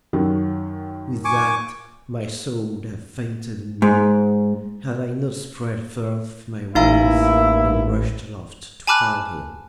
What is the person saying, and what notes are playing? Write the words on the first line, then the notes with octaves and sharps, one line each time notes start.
With that my soul would have fainted in me, had I not spread forth my wings and rushed aloft to find him.
F#2 D#3 F#3
G#5 C#6 D6
G#2
A1 A#3 D#4 E4 F5 A#5
G#5 A5 B5 D6 F6 F#6